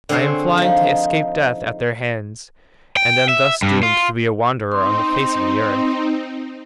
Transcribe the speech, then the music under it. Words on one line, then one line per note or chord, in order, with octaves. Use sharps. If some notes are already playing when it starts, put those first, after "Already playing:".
I am flying to escape death at their hands, and am thus doomed to be a wanderer on the face of the earth.
D3 C4 G#4 C5 C#5
F3 D#4
G5
E5
G2
F4
C4 D#4 C6